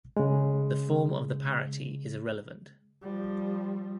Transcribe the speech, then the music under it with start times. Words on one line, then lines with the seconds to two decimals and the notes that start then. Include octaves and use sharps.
The form of the parity is irrelevant.
0.17 C#3 G#3
3.02 F3 G3